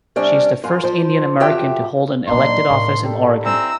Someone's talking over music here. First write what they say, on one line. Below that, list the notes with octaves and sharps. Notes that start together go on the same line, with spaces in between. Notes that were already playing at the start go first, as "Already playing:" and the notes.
She is the first Indian American to hold an elected office in Oregon.
C3 G3 C#4 D4
F#2 F4
F3 C5
F2 F#4 G4 E5 G5
A#2 F#3 A#3 D4 D#4 C6
A2 A#4
G4 A4 B5
C4 E4 G#5 A#5 E6